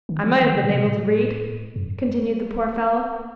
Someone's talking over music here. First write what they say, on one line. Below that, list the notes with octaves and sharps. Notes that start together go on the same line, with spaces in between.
"I might have been able to read," continued the poor fellow.
D#3
F3
D#3
C#3
A#2
C3
A2
F#2